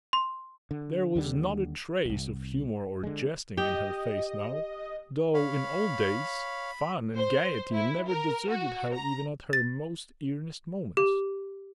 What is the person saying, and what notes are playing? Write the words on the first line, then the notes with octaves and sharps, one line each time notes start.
There was not a trace of humor or jesting in her face now, though, in old days, fun and gayety never deserted her even at her most "earnest" moments.
C6
D3
D#2 D3 G3
D1 C2
D3 G#3
G4 D#5
C#5 F5 B5
C5
E4
A#4
F#4
A#5
A6
G4